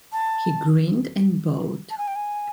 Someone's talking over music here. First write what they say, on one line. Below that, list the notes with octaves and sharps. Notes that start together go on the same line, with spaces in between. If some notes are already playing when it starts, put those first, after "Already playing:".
He grinned and bowed.
A5
A5
G#5
G5
G#5